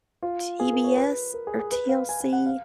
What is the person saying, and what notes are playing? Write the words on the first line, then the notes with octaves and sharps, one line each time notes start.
TBS or TLC.
F4
G#4
A#4
C#5
B4
A#4
G#4
G#4
B4
F5
G#5
G#5
F#5
F5